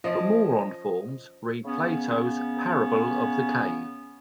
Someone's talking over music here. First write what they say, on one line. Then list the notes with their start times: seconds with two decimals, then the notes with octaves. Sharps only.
For more on forms, read Plato's parable of the cave.
0.04 F3 C#4 D5 D#5
1.65 C#3 B3 C#4